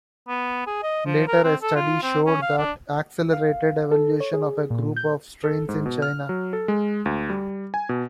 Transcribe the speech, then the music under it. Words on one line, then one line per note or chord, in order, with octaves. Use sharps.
Later a study showed that accelerated evolution of a group of strains in China.
B3
G#4
D#5
F3
A#4
C4
A4
F4
C4
C#4
F5
D4
F5
A4
C#5
G#4
A#2
G6
A4
G#2
B2
F6
F#3
A4
G#3
D2
G3
G#5
B2